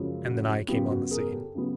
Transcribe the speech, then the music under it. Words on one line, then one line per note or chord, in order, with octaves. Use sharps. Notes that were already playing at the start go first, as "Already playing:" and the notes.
And then I came on the scene.
Already playing: F#2 C#3 F3 G#3
F#4
F#2 C#3 F#3 B3 F4 G4
F#4
G#4 A#4
G4 A4
C#3 F#3 B3